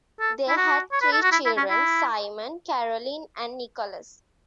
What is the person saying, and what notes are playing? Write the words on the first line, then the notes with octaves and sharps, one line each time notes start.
They had three children, Simon, Caroline, and Nicholas.
A4
E4
F#4
C#5
B4
A4
F#4
E4
E4
C#4
E4